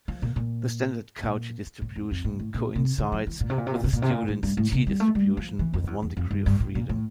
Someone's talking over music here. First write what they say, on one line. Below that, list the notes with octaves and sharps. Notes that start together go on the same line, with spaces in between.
The standard Cauchy distribution coincides with the Student's "t"-distribution with one degree of freedom.
F3
A#2
A#2
A#2
A2
F2
F2
A2
A2
A#2
C3
D3
F3
E3
A#2
C3
A#2
C3
A#2
C3
A#2
C3
A#2
A2
G2
A2
C3
G3
A3
G3
F3
E3
F2
E2
E2
F2
G2
G2
A2
A#2
A2